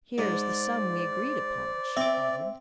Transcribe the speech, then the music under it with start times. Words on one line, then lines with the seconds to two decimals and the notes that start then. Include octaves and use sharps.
"Here is the sum we agreed upon," she added.
0.18 G#2 C5 D5
1.97 C4 E5 D6